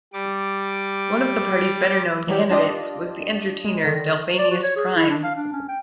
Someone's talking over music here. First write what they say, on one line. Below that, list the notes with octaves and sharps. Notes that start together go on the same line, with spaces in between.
One of the party's better known candidates was the entertainer Dalvanius Prime.
G3 D6
E3 F#3 G3 G4
D4 F4 G4 D5 D#5
G#3
D3 D#3
D5
F#4
C#5
G#4
E4
D4
F5
D4
C#4
G5